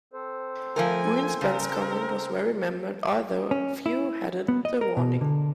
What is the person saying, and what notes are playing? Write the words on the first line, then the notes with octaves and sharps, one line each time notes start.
Greenspan's comment was well remembered, although few heeded the warning.
C4 A4 C5
F3 A3 A#4 G#5
C#3 A#4
C#4
E4
B3
D#5
A#4
B2
D3